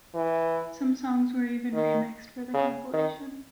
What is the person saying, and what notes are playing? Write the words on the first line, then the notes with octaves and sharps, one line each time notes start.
Some songs were even re-mixed for the compilation.
E3
D#3
C#3
D#3